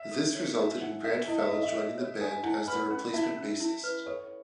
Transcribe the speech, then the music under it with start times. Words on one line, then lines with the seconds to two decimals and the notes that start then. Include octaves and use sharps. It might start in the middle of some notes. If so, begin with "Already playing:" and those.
This resulted in Grant Fell joining the band as the replacement bassist.
Already playing: E5
0.12 A4
0.35 C#5
0.58 D#4 E5
0.81 D#4 F#5
1.04 A4 E5
1.27 E4 D#5
1.38 E5
1.49 A4 D#5
1.63 E5
1.74 A4
1.98 C#5
2.20 A4 G#5
2.43 E4 F#5
2.67 B4 B5
2.90 C#4 F#5
3.14 E4 E5
3.37 C#4
3.60 E4
3.84 B4
4.06 A4 C#5